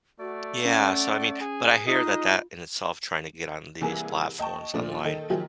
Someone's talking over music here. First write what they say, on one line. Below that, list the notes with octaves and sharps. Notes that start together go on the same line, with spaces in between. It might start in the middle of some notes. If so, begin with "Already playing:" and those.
yeah, so, I mean but I hear that that in itself tryna get on these platforms online,
A3 F#4 D5
C#4 F#5
G#4
G#3 D#4 F4 D#5
C2 E3 A#3 G#4 G#5
D#5 G5 A5 C#6
A#2 F3 A3 D4
D#3 D#4 A4
D#3 F3 F#3 E4 G4 G#4